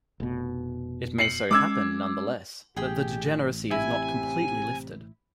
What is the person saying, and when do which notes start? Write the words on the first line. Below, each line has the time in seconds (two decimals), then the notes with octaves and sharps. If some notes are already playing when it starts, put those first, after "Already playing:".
It may so happen, nonetheless, that the degeneracy is not completely lifted.
0.20 F1 B2
1.18 C7 C#7 F#7
1.51 G#3 C#4 D6 E6 G#6
2.76 A1 G4 G#4 G5
3.71 C3 E4 G#5